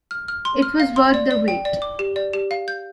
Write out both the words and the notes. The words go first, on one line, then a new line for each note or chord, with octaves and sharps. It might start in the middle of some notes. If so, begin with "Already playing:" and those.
It was worth the wait.
F6
F6
C6
F6
F5
C6
D5
D5
G5
D5
D6
G4
D5
G4
F5
G6